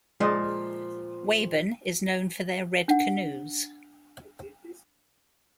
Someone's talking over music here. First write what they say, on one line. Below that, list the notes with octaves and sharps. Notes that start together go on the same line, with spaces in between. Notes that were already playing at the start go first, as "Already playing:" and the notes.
Wabun is known for their red canoes.
A#2 F3 G#3 D5 D#5
D4 F#5